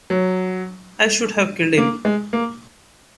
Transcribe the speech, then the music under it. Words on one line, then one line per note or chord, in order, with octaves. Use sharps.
I should have killed him!
F#3
A#3
G#3
A#3